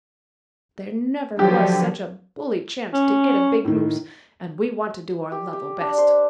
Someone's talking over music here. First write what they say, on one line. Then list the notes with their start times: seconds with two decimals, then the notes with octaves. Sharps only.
There never was such a bully chance to get a big moose, and we want to do our level best.
1.39 D3 F3 F#3 G4
2.93 C#4
3.65 A2 D#3
5.32 G4
5.53 G4
5.81 D4
5.98 C5